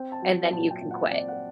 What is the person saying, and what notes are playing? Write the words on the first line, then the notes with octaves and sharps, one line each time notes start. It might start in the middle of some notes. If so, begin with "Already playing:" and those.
and then you can quit."
Already playing: C4 G5
A5
F#3
A#2 A5
G5
A#2
F#5
C4 D5
F#5